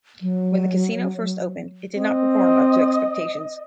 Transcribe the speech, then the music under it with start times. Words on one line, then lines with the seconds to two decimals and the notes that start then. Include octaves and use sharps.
When the casino first opened, it did not perform up to expectations.
0.22 F#3
1.96 C4 D#5